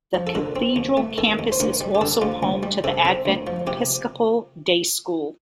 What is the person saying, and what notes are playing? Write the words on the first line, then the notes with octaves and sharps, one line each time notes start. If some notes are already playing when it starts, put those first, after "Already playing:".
The Cathedral campus is also home to the Advent Episcopal Day School.
F3
A4
D3 A#4
C4
D#2
A3
D#3 A4
D#2
C5
D2 A#4
G3
G4
D3 A4
D2 F4
D2
G3
C3 A4
C4
D2
F3
C3 G4